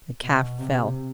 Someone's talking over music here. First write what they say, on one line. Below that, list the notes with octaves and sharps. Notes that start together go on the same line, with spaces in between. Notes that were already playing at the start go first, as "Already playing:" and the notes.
The calf fell.
B2
C3